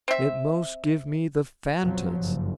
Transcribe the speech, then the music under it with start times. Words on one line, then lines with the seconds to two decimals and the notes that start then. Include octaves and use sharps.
It most give me the fan-tods.
0.08 C4 E5
1.82 F2 B2 F3 F#3
2.17 F#1 G2